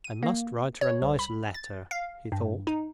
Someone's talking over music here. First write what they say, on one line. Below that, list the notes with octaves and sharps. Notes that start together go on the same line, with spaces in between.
"I must write her a nice letter . . ." he thought.
D#7
A#3
C#5
C2
B5
A6
F5
G2
D#4